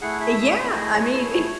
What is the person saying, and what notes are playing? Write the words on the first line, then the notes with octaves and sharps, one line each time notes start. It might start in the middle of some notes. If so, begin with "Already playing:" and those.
Eh yeah. I mean,
A3 E4 G#4 F#5
E5
A3 E4 G#4
A3 E4 G#4 D#5
C#5
A3 E4 G#4 C#5